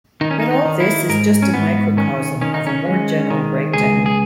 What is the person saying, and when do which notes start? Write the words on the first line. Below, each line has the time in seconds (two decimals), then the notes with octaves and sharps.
But all this is just a microcosm of a more general breakdown.
0.21 D#3 D#4
0.31 C#4
0.40 D#4
0.51 D#4
0.65 D#3
0.80 E4
1.09 G#2 A#4
1.42 C#4
1.54 G#2 B3
1.97 D#3 C#4
2.41 D#3 C#4
2.54 D#4
2.67 C#4
2.86 G#3
3.30 D#3
3.73 C#2 G#4
4.06 G#4